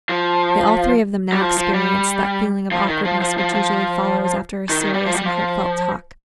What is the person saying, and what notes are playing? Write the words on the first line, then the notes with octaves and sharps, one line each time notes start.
They all three of them now experienced that feeling of awkwardness which usually follows after a serious and heartfelt talk.
F3
G3
F3
F3
G3
F3
D#3
F3
F3
F3
F3
D#3
D#3
G3
F3
G3
F3